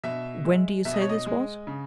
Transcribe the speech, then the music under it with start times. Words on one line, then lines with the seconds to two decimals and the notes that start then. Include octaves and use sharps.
"When do you say this was?"
0.04 B2 E5
0.45 G#3
0.85 B2 E5
0.94 D#5
1.02 C#5
1.09 D#5
1.27 G#3
1.67 C#3